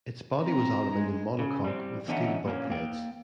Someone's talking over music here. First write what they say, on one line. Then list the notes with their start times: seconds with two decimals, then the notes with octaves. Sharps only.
Its body was aluminium monocoque with steel bulkheads.
0.42 C4 A#5
0.94 G#3
1.39 C#3
1.64 G3 C4
2.08 E2 D3 C#4 D#4 E5 F#5
2.46 A#2 A#3 C#4
2.70 A#3 G5